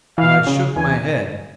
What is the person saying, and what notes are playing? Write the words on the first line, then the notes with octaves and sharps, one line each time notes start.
But I shook my head.
E3 F5
C#3
E2 G#5